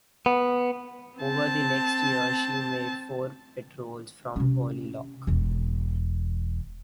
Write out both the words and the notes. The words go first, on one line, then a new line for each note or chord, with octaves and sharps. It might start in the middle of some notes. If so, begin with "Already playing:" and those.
Over the next year, she made four patrols from Holy Loch.
B3
C4 A5
C3 C#4
E1 E2